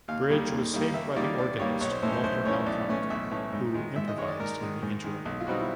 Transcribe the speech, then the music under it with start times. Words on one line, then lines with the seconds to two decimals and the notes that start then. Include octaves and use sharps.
Bridge was saved by the organist, Walter Alcock, who improvised in the interim.
0.08 D#2 F5
0.30 D#3 G3 A#3
0.52 D#2
0.73 D#3 G3 A#3
0.94 D#2 E5
1.16 D#3 G3 A#3 D5
1.38 D#2 D5
1.59 D#3 G3 A#3 C#5
1.81 B1 C#5
1.92 C5
2.02 A2 E3 A3 C#4 C5
2.13 C5
2.24 B1 C5
2.45 A2 E3 A3 C#4 C#5
2.66 B1 D5
2.89 A2 E3 A3 C#4
3.10 B1 E5
3.31 A2 E3 A3 C#4
3.53 G#2
3.74 D#3 G#3
3.96 G#2 E5
4.08 D#5
4.18 D#3 G#3 C#5
4.28 D5
4.40 G#2 A#4
4.60 D#3 G#3
4.82 G#2
5.04 D#3 G#3
5.25 B1
5.41 F4
5.47 B2 G3 C4 D#4 F#4
5.59 E4